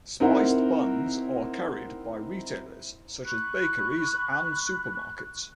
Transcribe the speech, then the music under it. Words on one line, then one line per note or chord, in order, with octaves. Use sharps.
Spiced buns are carried by retailers such as bakeries and supermarkets.
C4 D#4 E4 A#4 F#5
B5 C#6 F#6